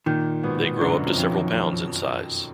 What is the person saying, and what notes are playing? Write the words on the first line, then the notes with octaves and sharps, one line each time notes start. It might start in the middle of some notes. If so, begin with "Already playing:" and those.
They grow up to several pounds in size.
A#2 D#3 A#3
G#2 B2 B3
F#2 D3 F#3
F2 F3
F2
D#3